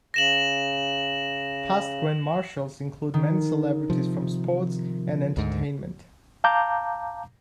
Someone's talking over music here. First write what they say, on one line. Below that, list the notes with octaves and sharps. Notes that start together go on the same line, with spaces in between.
Past Grand Marshals include many celebrities from sports and entertainment.
C#3 A#6 E7 F#7
D#3
C3 F3
D2 G#2
F5 A5 A#5 D6 G6